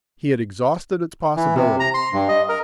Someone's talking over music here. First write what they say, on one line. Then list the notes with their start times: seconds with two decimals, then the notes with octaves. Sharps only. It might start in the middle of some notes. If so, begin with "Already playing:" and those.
He had exhausted its possibilities.
1.36 E3
1.55 C3
1.80 A#5
1.94 C6
2.13 G2
2.28 D#5
2.49 A#4